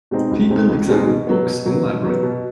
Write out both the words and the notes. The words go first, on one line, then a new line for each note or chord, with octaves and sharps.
People examine books in a library.
B2 G#3 C4 D#4
C#2
B2 G#3 C4 D#4
C#2
B2 G#3 C4 D#4
B2
F#3 B3
B2
F#3 B3
B2
F#3 B3
B2